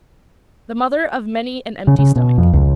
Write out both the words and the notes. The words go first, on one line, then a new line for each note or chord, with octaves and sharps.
The mother of many an empty stomach.
C#3
C#3
B2
F2
C#2